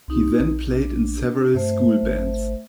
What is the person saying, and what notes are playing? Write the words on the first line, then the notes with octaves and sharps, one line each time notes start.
He then played in several school bands.
C2 C4 D#4 G4
A#1
D4
G2 A3 C5 E5
G#1